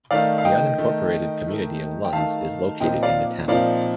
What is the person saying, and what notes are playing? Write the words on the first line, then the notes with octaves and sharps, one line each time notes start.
The unincorporated community of Lunds is located in the town.
D#3 A3 D#4 D5 F5
F5
D#5 G5
D#3 A3 D#4
D#3 A3 D#4
G5
D#3 A3 D#4 F5 A5
A#2 F3 C4 D#4 D#5 G5
D5 F5
A#2 F3 C4 D#4 D5 F5